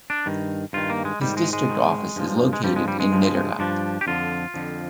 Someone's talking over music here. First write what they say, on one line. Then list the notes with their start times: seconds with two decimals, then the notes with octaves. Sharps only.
His district office is located in Nederland.
0.10 D4
0.26 G2 D#3
0.73 G2 D#3 F4
0.90 A#3
1.05 G#3
1.21 G#2 D#3 G3
1.37 G#3
1.53 G#3
1.68 G#2 D#3
2.16 G2 F3
2.53 G#3
2.63 G2 F3 G3
2.76 G#3
2.88 G3
3.00 G#3
3.12 G2 F3
3.59 G2 F3 D4
4.01 G4
4.07 F2 D3 F3 F4
4.54 F2 D3 F3